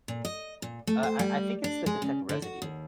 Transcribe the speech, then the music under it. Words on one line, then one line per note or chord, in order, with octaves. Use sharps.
Uh, I I think it's to detect residue,
A#2
D#5
A#2
A3
C5
G3
D4
G#3
C#3
D3
F#4
D#2